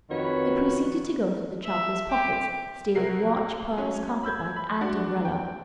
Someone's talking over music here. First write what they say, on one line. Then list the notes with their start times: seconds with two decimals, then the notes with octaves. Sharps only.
They proceeded to go through the traveller's pockets, stealing watch, purse, carpet-bag, and umbrella.
0.10 F2 D#3 F#4 B4 C#5
1.64 E5
2.10 G4
2.95 C2 F#4 A#4 C7
3.77 F#3 C#4 C#5
4.23 B5 E6 G6 G#6
4.56 B5
4.81 D4 F#4
5.25 G5